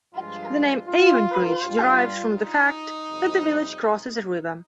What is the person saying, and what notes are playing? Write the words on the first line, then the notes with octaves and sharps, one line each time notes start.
The name Avonbridge derives from the fact that the village crosses a river.
G2 F3 G#3 F4
F4
G2 G3 F4
D#4
F2 C3 G3